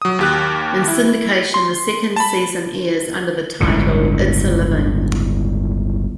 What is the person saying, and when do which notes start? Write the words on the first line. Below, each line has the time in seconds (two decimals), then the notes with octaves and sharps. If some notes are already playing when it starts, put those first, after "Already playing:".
In syndication, the second season airs under the title "It's a Living".
0.02 F#3 D#6
0.19 D#2 G4 F#6
0.88 E4
1.54 C6
2.16 A5 B5
3.61 G1 C#2 A2 D3